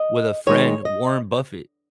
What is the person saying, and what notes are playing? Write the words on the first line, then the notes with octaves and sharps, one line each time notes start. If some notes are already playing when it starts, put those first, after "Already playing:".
with a friend Warren Buffett,
Already playing: D#5
D#3 G#3 D#4 C#5
D#5